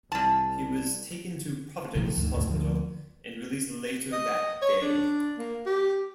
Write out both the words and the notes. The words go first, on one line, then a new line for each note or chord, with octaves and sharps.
He was taken to Providence Hospital and released later that day.
C2 G3 A5
A#1 C3 D#3 F3
D2 G#2
C#2 F#2 A2
D2 F3
D#5
C#5
D4
A#3
G4